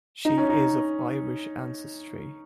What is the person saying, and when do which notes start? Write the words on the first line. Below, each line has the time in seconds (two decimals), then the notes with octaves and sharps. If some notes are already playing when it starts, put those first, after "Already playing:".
She is of Irish ancestry.
0.25 D#4
0.38 C#4
0.49 D#4